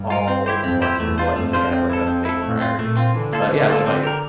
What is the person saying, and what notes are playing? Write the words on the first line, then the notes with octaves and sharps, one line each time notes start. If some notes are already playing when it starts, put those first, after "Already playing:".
all flexible. I don't think I have, like, a big priority. But, yeah, what about you?
Already playing: G2
F4 A#4
C4
E4 G4 C5
F2 C4
E4 G4 C5
E2 A3
D4 F4 C5
F2 A3
D4 F4 C5
C4
E4 A4
C4
E4 A4
A2 A3
C4 F4
A#2 A3
C4 F4
D3 E3
A#3 F4 A4
D3 E3
A#3 F4 A4
C4
G4 A#4